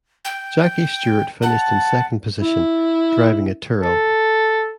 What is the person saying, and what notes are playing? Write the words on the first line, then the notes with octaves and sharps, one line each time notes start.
Jackie Stewart finished in second position, driving a Tyrrell.
G5
F#5 A5
E4
A4